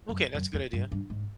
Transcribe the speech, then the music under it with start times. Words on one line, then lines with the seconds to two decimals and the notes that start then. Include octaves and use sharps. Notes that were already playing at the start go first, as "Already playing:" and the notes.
Okay, that's a good idea.
0.09 F#2
0.35 F#2
0.53 F2
0.73 G2
0.92 G2
1.10 G#2